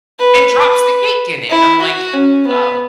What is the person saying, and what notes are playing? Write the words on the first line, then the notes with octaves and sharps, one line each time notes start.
and drops the cake in it, and I'm, like, "Oh"
B4
B4
E4
F#4
C#4
B3